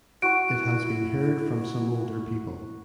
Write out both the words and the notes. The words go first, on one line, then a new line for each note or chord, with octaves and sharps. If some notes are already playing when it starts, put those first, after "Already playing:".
It has been heard from some older people.
E4 F#4 C#6 D7